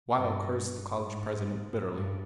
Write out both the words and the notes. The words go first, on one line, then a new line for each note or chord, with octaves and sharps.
Weill cursed the college president bitterly.
G2
G#2
G2